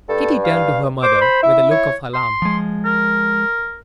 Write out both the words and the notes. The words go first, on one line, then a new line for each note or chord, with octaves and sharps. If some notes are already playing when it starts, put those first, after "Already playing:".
Kitty turned to her mother with a look of alarm.
G2 A4
F5
C5 D6
B5
E4 E5
C#5
C6
F3 G#3
A#4